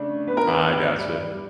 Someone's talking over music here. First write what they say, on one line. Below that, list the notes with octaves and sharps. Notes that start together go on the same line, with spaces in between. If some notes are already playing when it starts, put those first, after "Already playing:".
I gotcha.
Already playing: C#3 A3 D4
B3 B4
A#4
B4
B3
G3
G3